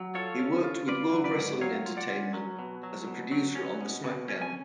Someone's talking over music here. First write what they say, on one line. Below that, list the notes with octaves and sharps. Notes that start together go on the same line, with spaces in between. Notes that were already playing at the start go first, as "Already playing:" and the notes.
He worked with World Wrestling Entertainment as a producer on the SmackDown!
Already playing: F#3
F4 A4 C#5
C#4
F4
F4 B4 D5
F#3
B4 D5
G#2
F#3 C#5 F5
F4
D5 F#5
C#4
F#3
B2
F#3
B2
F#3
C#4
B2
B2
C#4
G#5